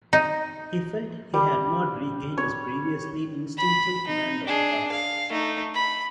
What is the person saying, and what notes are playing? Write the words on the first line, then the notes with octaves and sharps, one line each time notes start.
He felt he had not regained his previously instinctive command of the car.
D#4
G3
C#5
B5
D#4
D4 G#4
F5
A3 D#4
B5